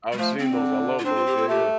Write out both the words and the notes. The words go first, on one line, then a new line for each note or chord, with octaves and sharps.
I've seen those, I love those yeah, yeah.
G3
F3 A3
C4
D3
F4
C4 D4
F4
G4
A4
A3 G4